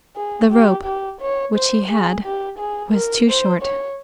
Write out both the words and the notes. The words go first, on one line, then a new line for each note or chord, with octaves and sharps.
The rope which he had was too short.
G#4
G4
G4
C#5
C5
G#4
G4
G#4
A#4
C5
C#5